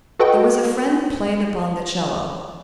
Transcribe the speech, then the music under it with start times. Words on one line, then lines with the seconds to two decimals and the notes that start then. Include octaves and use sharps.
There was a friend who played upon the 'cello.
0.19 F#4 A4 B4 D#5 G5